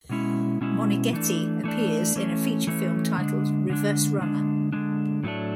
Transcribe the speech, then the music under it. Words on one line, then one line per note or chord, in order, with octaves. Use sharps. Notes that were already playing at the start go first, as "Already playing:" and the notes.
Moneghetti appears in a feature film titled "Reverse Runner".
B2 G#3 C#4 E4
B2 G#3 C#4 E4
E3 A3 D4
E3 A3 D4
E3 A3 C#4
E3 A3 C#4
D3 G#3 D4
D3 G#3 D4
D3 G#3 D4
D3 G#3 D4
A2 F#3 A3 D4